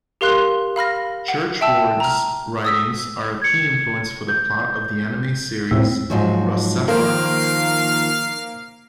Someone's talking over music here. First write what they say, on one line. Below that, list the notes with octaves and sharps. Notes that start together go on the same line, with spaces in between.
Churchward's writings are a key influence for the plot of the anime series RahXephon.
G4 A#4 F5 C6 F#6
F5 B5 F6 A#6
F#5
E5 G5 A5 E6
A#5 F6
D#6 E6 B6
G#6 C#7
G6
A2 C4 E6
G#2 F3 F#3
D#3 F3 A#3 A#4 C5 F5